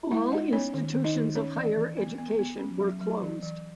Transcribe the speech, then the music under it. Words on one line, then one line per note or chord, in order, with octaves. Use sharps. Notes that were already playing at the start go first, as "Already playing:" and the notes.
All institutions of higher education were closed.
G#3 E4 E5
G#3 D#4 D#5
B3 C#4 C#5
D#3
D#3
D#4 D#5
D#3
C#4 C#5
E3
E3
B3
B3
B3
C#4
F#3
F#3
E3
E3